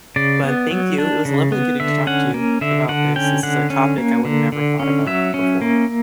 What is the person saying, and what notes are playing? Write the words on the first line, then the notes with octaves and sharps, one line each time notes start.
but thank you, it was lovely getting to talk to you about this. This is a topic I would have never thought about before.
C#3 D5
B3
F#3
D4
C#3
B3
D3 E5
C#4 F#5
A#3
D3 E5
D3 F#5
C#4 G5
D3 F#5
C#4
A#3
D3
D3
C#4
F#3 E5
C#4
A#3